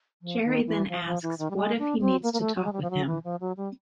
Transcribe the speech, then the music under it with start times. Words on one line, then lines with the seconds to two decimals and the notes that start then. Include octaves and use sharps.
Jerry then asks what if he needs to talk with him.
0.22 F3
0.45 D#3
0.67 E3
0.89 F3
1.06 F3
1.23 E3
1.39 D#3
1.51 G3
1.57 G#3
1.79 D4
2.01 C4
2.23 A#3
2.33 A#3
2.40 A3
2.56 F#3
2.65 G#3
2.73 G3
2.82 F3
2.91 F#3
3.07 E3
3.24 F3
3.41 F#3
3.57 G3